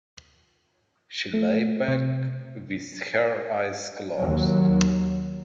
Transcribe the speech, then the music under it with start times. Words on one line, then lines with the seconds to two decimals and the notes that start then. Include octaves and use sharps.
She lay back with her eyes closed.
1.34 A3
1.88 C3
4.17 D#2 F#3